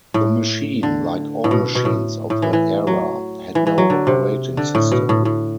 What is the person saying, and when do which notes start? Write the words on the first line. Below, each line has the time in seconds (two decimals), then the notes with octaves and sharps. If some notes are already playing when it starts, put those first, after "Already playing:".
The machine, like all machines of the era, had no operating system.
0.14 A2
0.83 D3
1.44 A2
1.51 B2
1.75 B2
1.85 A2
2.30 A2
2.42 E3
2.53 E3
2.87 F#3
3.55 E3
3.67 E3
3.78 F#3
3.90 D3
4.07 C3
4.57 D3
4.75 A2
4.92 B2
5.09 A2
5.25 A2